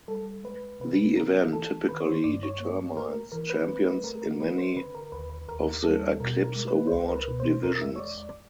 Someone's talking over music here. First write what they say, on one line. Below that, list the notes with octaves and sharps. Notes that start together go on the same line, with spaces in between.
The event typically determines champions in many of the Eclipse Award divisions.
G3 A4
G#3 B4
C3 B4
B3 A#4
E3 A4
D#3 B4
C#5
C5
G2 D5
C#5
A#3 C#5
A#3 A#4
E3 A#4
B4
C4 B4
B4
A3 A#4
A#4
C4 B4
C5
D3 B4
A#4
D#2 B4
B4
D#2 A#4
G3 A4
B2 A#4
A#4
G#3
B4
C5
C#2 B4
A#4
B4
B2
C5
E2 A#4
E5
C#5
G#3 D5
D5